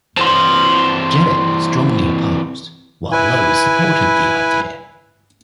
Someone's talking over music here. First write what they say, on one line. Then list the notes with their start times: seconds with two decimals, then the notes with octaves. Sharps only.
Jellett was strongly opposed while Lowe supported the idea.
0.17 E3 C4 A5 C6
3.12 E4 B4 G#5